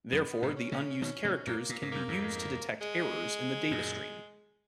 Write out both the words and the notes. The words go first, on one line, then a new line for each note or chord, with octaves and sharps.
Therefore, the unused characters can be used to detect errors in the data stream.
F#2 B3
G#2 B2
C#4
A#2 C#3
B2 D#3 C#4
A#2 C#3
F#2 A#2 A#3
A#2
G#2
F#2 A#3
F2 G#2
G#3
F#2 A#2